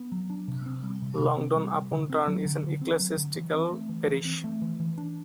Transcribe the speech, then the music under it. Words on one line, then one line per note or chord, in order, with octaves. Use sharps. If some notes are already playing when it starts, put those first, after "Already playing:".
Longdon-Upon-Tern is an ecclesiastical parish.
Already playing: B3
F#3
D4
C3
C4
G3
C3
C3
C4
G3
C3
D3
C4
F#3
D3
D3
C4
F#3
D3
E3
C4
A3
E3
E3
C4
A3
E3
E3
D4